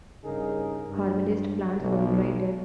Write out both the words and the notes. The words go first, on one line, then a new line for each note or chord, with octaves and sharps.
Herbalist, plants women, writer.
G2 C#3 D#4 G#4 A#4
G2
B1